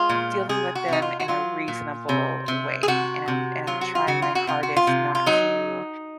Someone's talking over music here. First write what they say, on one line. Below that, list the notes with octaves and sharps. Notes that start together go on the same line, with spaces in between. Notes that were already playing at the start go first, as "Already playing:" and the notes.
dealing with them in a reasonable way, and I'm and I'm trying my hardest not to,
Already playing: G#3 F4
A#2
C3 G#4
F#4
C3 D#4
F4
F#4
F#3 F4
A#2
C3
C3
G#4
C3 F#4
C3
F#3 F4
F#4
F4
C#3 F#4
F4
F#4
C3 F4
F#4
F4
C3
F4
F#3 D#4